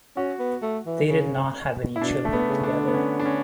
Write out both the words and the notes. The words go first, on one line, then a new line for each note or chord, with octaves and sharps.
They did not have any children together.
C#4 F#4
B3
A3
E3
C#3
E4
B2 D4
A3
B3
C#3
D4
D3
B3
C#4
D4
C#4